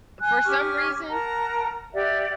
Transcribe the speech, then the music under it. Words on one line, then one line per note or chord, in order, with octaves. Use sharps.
For some reason,
G#5 F#6
C#4 G4 C#6 F6
A#4 F#5 A5 A#5
G4 D5 E5 F#5